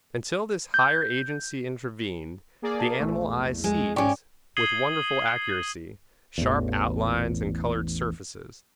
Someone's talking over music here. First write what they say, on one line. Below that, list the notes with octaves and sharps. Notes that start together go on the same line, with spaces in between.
Until this higher agency intervened, the animal eye sees, with wonderful accuracy, sharp outlines and colored surfaces.
G6
A#3 G#4 D5
A5
A#1 E2 A3
G#3
G#2 C#4 G4 D5 C#6 D6
D#6 G#6 C7 D#7 F#7 G7
A1 E2